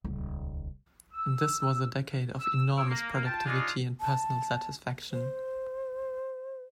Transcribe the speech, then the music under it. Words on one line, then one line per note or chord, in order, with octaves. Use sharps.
This was a decade of enormous productivity and personal satisfaction.
D#1 C#2
E6
E6
F3 C5 C#5 D6 E6
A#3
A#3
F4 G5 A5
D4 D#4 F4 G#4
A5
C5